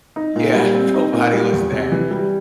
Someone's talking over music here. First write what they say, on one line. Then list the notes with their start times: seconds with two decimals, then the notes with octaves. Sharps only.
Yeah, nobody was there,
0.16 D#4
0.36 A#2
0.55 G3
0.74 C4
0.94 D#4
1.13 A#2
1.33 G3
1.53 E2
1.72 C3
1.92 E3
2.11 G3